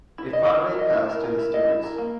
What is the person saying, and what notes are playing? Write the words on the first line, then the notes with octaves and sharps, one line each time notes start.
It finally passed to the Stewarts.
E4
D#5
E4
A#4
D#5
E4
A#4
A#4
E4
D#5
E4
A#4
A#3